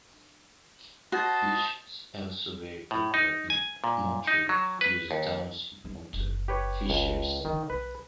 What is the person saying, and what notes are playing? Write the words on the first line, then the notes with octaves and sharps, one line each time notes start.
Fish is also very popular in Motril, due the town's important fisheries.
F#4 C5 D#5 A5
A2
D#4
G#5
A#2
D#4
F#3
B4
D#2
E3 B3
F#1 E3
G4 B4 C#5
C#2
D3 D#3 F3
B1 B4